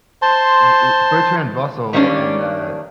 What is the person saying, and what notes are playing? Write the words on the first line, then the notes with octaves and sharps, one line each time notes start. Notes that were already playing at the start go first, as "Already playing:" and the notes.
u u Bertrand Russell and, uh
C5 A5 C6
D#3 G3 A#3 C#4 D4